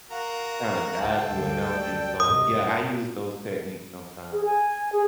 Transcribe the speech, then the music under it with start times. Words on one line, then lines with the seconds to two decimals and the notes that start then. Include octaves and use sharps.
kinda guide you or help you, so, yeah, I use those techniques sometimes.
0.11 F#4 A#4 F5
1.01 C#2 A4 G5
1.31 D2 D3 G3
1.74 D5
2.20 G2 C3 D#5 D#6
4.32 G#4
4.45 G#5
4.92 G#4